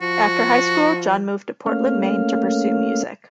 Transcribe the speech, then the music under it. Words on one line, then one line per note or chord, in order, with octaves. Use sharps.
After high school, John moved to Portland, Maine, to pursue music.
F3 F#4
A3 A#3 C#4 F5